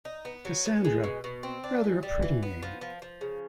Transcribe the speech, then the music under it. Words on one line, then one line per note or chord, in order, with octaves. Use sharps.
Cassandra; rather a pretty name.
D#4
B3
F#3
B3
G#3
B2
B2
C4
D4
E3
G3
E3
B3
F3
F3
F3
C#3